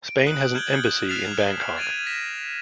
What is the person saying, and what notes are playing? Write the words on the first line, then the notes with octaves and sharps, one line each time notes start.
Spain has an embassy in Bangkok.
D7
D#6 F#6 F#7
F6 G6 G#6 D7 F#7 G7
F6 A6 B6 C7 E7 F7
G#6 A6 D7 D#7 F7
A#6 B6 E7